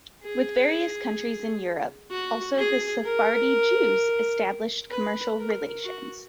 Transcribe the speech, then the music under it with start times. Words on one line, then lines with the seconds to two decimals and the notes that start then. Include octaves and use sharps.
With various countries in Europe also the Sephardi Jews established commercial relations.
0.23 G#4
2.10 F#4
2.57 G#4
3.03 A#4
4.90 B4
5.37 A#4
5.84 F#4